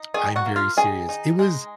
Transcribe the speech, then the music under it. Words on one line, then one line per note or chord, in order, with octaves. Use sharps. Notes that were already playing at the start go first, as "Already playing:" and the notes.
I'm very serious. It was
Already playing: D#4
D#3 G#4 G#5
F#4 F#5
A#3
F4 F5
D#3 G#4 G#5
D#4
G#3